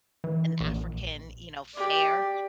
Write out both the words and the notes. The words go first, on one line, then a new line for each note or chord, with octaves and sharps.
an African, you know, fare,
E3
A#1
G4 D5